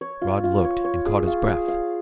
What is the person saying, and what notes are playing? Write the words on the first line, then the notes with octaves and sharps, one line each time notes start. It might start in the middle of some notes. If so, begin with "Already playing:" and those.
Rod looked, and caught his breath.
C#5
F4
F4
C#5
C#5
G#4
F4
G#4
F5